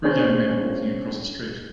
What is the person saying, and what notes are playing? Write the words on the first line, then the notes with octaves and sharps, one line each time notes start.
Three young men are walking across a street.
B3 C#4 D4 G#4 C5 C#5